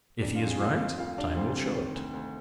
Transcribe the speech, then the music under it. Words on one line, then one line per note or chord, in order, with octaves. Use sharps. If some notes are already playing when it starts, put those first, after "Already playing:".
If he is right, time will show it.
F2 D4
F4
F2
G#4
F2 F4
F2
D2 F4
C3 D4
D2 C4
C3
D#3
D2
D2